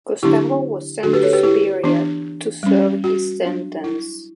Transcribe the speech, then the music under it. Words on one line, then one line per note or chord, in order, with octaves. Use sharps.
Kostava was sent to Siberia to serve his sentence.
D3 F#3 B3 D4 E4 G4
D3 F#3 A3 D4 F#4 A4
G4 B4
A4 C#5
G4 B4
E4 G4
E3 B3 D4
G3 C#4
F#4
F#3 B3 D4
E4